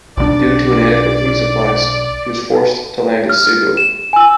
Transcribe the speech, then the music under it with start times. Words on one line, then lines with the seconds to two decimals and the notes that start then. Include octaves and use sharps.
Due to inadequate food supplies, he was forced to land at Cebu.
0.17 B1 D#3 D4 D5
3.29 F6
3.77 E7
4.13 G#5 E6